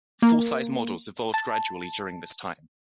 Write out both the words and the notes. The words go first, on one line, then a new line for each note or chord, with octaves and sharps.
Full-size models evolved gradually during this time.
A#3
A5